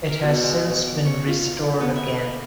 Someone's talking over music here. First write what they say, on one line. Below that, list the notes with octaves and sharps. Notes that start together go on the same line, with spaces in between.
It has since been restored again.
A#4
B2
G#3
C#5
D6
C#5
F4
A#5
D3
B3
E5
A#3